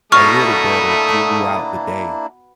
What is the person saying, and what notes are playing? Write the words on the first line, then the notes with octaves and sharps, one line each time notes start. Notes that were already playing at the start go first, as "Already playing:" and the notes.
a little better throughout the day,
B2 A3 A#3 D4 E4 C#6 D#6 F6